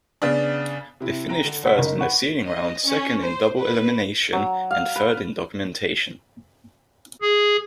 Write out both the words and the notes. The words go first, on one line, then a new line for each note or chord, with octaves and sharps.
They finished first in the seeding round, second in double-elimination, and third in documentation.
C#3 B3 D4
C3 E4
G5 A#5 A#6 D7
D3
F1 F#4 F#5 B6
F#1 D#4 A#4
B4 F#5 C#6
D#5
C#4
C5
B4
F#3
F5
B4
G#4